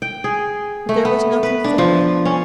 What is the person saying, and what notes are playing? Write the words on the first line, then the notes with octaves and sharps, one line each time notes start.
But there was nothing for it.
G5
G#4
A3
B3
B4
D4
F3
C#4